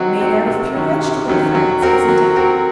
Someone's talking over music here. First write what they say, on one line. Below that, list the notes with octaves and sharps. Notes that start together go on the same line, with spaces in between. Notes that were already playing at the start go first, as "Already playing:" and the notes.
"Made out of pure vegetable fats, isn't it?"
Already playing: F#3 C4 D#4 F#4
C4 D#4 F#4
C3
D#3 F#3 C#4
C3
D#3 F#3 C#4
F#3
C4 F#4 A#4
F#3
C4 F#4 A#4